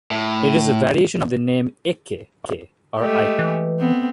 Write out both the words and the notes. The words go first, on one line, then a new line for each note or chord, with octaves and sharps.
It is a variation of the name Ekke or Eike.
A2
G#3 A3 G4
E3
B3 C4